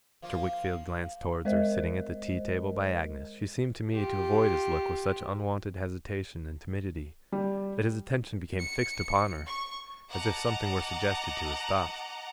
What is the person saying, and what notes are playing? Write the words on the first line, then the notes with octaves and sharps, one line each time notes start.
As Mr. Wickfield glanced towards her, sitting at the tea table by Agnes, she seemed to me to avoid his look with such unwonted hesitation and timidity, that his attention became fixed upon her, as if something were suggested to his thoughts.
F3 A#3 F4
G#3 A#4 C5 D#5
F4 G4
G3
C#7
C#6
D#5 F#5 A5 A#5 D6